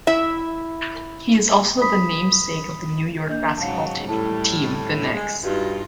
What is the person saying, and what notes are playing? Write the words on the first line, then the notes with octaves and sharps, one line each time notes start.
He is also the namesake of the New York basketball team, The Knicks.
E4 E5
B5 D#6 B6
A#3 D4 D#5 G6
G#2 C#3 F#3 F5 A5
A2 G3 A5
G#3
G2 D#4 F4 F#4